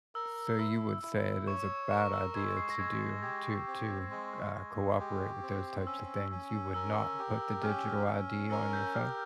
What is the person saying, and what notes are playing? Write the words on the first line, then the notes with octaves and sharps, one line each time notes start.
So you would say it is a bad idea to do to to, uh, cooperate with those types of things. You would not put the digital ID on your phone?
A#4 E6
E4 E6
E4
C#5 C#6
A#4 C#6
E6
G#3 G#6
C7
A#6
G#3 G#6
C7
G4 G#6
C4
G#3
G#3
G4
C4
C#4 E6
C#4
A#4 E6
G4
C#4 F6
C#4
A#4 E6
G6
G4 F6